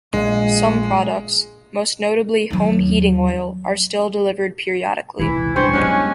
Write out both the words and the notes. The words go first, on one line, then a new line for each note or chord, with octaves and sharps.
Some products, most notably home heating oil, are still delivered periodically.
A#1 G#3
D#2 F#3
C#2 C3 E3 E4
G2 C4 C5 G5 G#5 C#6
F#3 G#3 B3 C#4 D4